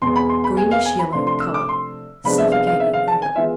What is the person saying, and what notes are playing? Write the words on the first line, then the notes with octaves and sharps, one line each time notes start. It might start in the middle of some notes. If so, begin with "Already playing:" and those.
Greenish-yellow colour, suffocating odour.
E2 B2 G#3 B3 C6
B5
C6
B5
G#5
F5
G#5
B5
C3 F3 A3 D4 C6
C6
E6
D6
C6
C3 F3 G#3 B3 D4 B5
E5
F5
F5
E5
F5
A5
G#5
E3 G#3 B3 F4 E5